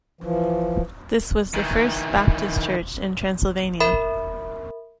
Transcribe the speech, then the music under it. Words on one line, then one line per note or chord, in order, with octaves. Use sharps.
This was the first Baptist church in Transylvania.
E3 F3
D#3 E3
A#4 E5 B5